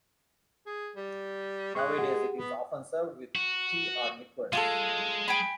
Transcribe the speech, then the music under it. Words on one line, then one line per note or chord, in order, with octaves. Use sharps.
Nowadays, it is often served with tea or liqueurs.
G#4
G3
G#3 C#6 F#6
G4 G#4 F#5
B3
F#4
G#3 F4 G4 A4
G5 G#5 B5